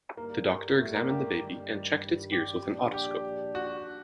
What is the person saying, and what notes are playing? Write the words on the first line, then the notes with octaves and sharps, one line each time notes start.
The doctor examined the baby and checked its ears with an otoscope.
G2 D3 G3 A#3
A3
A#3
G4
G2 D#3 G3
G4
A#1 A#2 G3 D4
G4
F#4